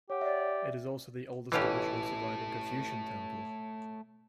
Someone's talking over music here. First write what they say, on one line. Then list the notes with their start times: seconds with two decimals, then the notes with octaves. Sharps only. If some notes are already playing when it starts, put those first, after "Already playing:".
It is also the oldest original surviving Confucian temple.
0.10 G4 C#5 F#5
0.21 D5 E5
1.52 A1 B2 E3 A3 F4 G4 C#5